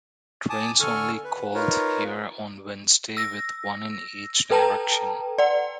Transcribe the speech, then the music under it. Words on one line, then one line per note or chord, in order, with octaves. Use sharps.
Trains only called here on Wednesday with one in each direction.
G#5 A5 D6 D#6
D3 A4 G#5 C#6 F6
B4
D#4 F4 A#4 B4 C#5
E6 A#6
A4 B4 G5 A5 A#5
D5 F#5